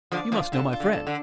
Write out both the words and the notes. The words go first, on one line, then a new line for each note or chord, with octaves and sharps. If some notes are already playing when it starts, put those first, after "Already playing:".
You must know my friends....
D3 F3 D5
D3 F3 F4
D3 A4
F4
D3
A4
D3